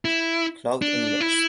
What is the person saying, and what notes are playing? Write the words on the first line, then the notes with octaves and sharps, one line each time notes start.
Cloud and lost.
E4
D4
E4